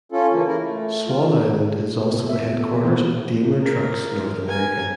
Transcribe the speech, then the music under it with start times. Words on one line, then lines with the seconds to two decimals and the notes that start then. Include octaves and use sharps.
Swan Island is also the headquarters of Daimler Trucks North America.
0.12 C#4 F4 A4
0.32 C#3 E3 A#3
0.47 E4 A#4
0.62 A3
1.06 F4
2.14 C3
2.27 A#3 E5
2.42 B3
2.55 A#3 A4
2.72 C3 F#4 G4
2.84 E3 B3 C5
3.62 A#4
4.45 A#4 G#5